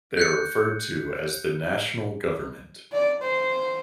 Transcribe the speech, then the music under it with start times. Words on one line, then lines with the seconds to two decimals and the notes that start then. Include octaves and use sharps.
They are referred to as the "National Government".
0.17 F#6 G6 C#7
2.93 D5
3.22 C5